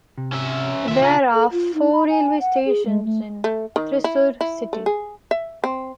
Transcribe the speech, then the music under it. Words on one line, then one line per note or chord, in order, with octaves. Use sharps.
There are four railway stations in Thrissur city.
C3
C#4 E5
D#2 F3 E5
C#3 F4 G#5 A#5
A4
F4
D#4
B5
G#5
F#5
G#4
G#3
A3
A3
D#3
E4
E4
A3
G#4
E5
C4